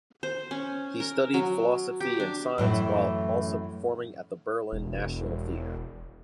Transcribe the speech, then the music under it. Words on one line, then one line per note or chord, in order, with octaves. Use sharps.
He studied philosophy and science while also performing at the Berlin National Theater.
C5
C#4
A#4
F#3
G4
D4
F#2 A2 E3
E1